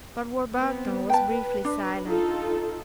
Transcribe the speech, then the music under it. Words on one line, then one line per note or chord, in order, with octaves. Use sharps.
Lord Warburton was briefly silent.
B3 C4
B4 G5 A5
D4
D#4 F4 A4